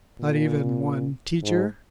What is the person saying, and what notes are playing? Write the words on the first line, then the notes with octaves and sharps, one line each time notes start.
"Not even one teacher?"
A#2
G#2